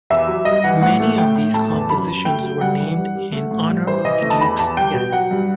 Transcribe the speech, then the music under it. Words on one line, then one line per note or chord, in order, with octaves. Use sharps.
Many of these compositions were named in honor of the Duke's guests.
E2 E5
F#3
G2 D#5
E3 F#5
A2 F#5
A3
A2 G5
A2
A3 A5
E2
F#2 B5
F#2
A3 G5
F#3
G2 F#5
E3
G2
G3
A3
A2
G2
E3 C5
E3 D#5
A3
A5
E2 B5
E2 A5
G3 G5
B2
F#3 F#5
G2